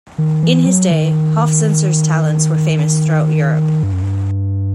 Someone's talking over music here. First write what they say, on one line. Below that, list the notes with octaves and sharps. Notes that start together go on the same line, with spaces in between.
In his day, Hofzinser's talents were famous throughout Europe.
D#3
E3
F#3
D#3
G2
F#2
G2